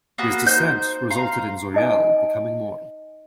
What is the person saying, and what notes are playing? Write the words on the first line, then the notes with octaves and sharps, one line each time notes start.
His descent resulted in Zauriel becoming mortal.
A#3 B3 F#4
D#4 C5 G6
F5 A#5 C6
D#4 D#5 G#5